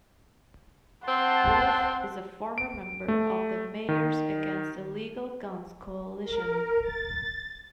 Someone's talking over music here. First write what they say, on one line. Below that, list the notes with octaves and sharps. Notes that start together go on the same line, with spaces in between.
Wolf is a former member of the Mayors Against Illegal Guns Coalition.
C4 F#5 A5 C6
D7
A3
D#3
A#4
A6